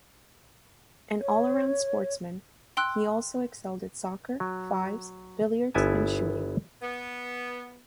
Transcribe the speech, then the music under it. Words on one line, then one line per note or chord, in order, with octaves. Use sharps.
An all-round sportsman, he also excelled at soccer, fives, billiards and shooting.
C#5
G5 C6 E6 F#6
F#3
G1 B3 E4 G#5 A5
B3